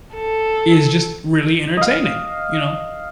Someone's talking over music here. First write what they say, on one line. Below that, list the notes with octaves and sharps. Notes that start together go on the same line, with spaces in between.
is just really entertaining. You know?
A4
D#5 F5